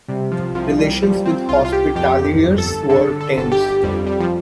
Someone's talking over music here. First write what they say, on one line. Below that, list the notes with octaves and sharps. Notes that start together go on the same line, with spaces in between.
Relations with the Hospitaliers were tense.
C3 G3
F3
C2 F3
G3
F3 G3
C4
C2 F4
F4
G4
F2 G4
G1
A4
D3 A4
A4
G1 A4
G4
F2 G3
G3
F3